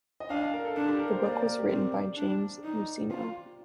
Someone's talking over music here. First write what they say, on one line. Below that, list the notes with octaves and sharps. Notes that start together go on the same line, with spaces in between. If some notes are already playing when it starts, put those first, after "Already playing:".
The book was written by James Luceno.
D#5
D4 F5
F5
A#4
A4
D4 A4
G4
A#4
C5
A#3 D5
D5
A#4
G4
C4 A#4
D4
D#4
F4